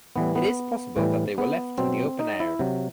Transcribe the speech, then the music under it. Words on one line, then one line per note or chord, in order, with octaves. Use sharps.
It is possible that they were left in the open air.
A2 E3 G3 B3
B3
A2 E3 G3
B3
B2 F#3 C4
D#4
E4
C3 F#3